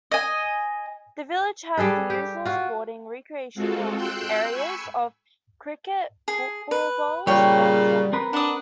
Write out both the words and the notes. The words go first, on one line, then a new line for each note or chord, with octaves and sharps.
The village has the usual sporting recreational areas of cricket, football, bowls and tennis.
D#5 G#5
G3 G#4 A4 B4
G4
F4 F#4
G#3 C4 F4 F#4 A4
G5 C6 E6 F#6 G6
G#5 B5 C#6 E6
G#4
B4
A#2 C#3 G3 C#5 G5
C4 A#4 B4
D4 F#5 D#6